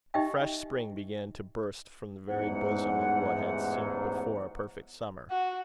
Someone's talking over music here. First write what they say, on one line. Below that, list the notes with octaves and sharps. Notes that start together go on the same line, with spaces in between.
A fresh spring began to burst from the very bosom of what had seemed before a perfect summer.
D#4 G4 D#5 E5 G5
A1 E2 G#2 F#5
F#4